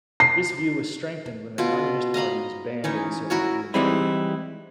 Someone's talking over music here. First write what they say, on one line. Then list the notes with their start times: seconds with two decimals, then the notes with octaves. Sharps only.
This view was strengthened when the Communist Party was banned in the Soviet Union.
0.20 C7
1.58 B2 F4
2.14 D#5 F5 A#5 B5
2.84 E3 C#4 D#4
3.30 E4 F#4 A#4 C#5
3.74 E3 G3 G#3 C4 D#4 E4